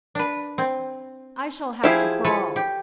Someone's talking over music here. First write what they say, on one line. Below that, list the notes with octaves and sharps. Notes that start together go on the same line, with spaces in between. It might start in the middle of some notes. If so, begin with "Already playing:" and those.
I shall have to crawl.
D4 B4
C4
F3 E4 G4 G#4 F5
A4 B4 C#5
G4